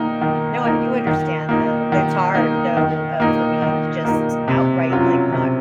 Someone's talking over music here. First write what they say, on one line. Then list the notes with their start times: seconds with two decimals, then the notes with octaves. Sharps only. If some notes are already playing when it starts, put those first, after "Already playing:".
No, I do understand, uh, it's hard, though, um, for me to just outright, like, not
Already playing: D#3 A#3 D#4
0.21 D#3
0.64 A#3 D#4
1.07 D#3
1.49 A#3 D#4
1.92 D#3
2.35 A#3 D#4
2.77 D#3
3.20 A#3 D#4
3.62 D#3
4.05 A#3 D#4
4.48 C3
4.90 F#3 C#4 F4
5.32 C3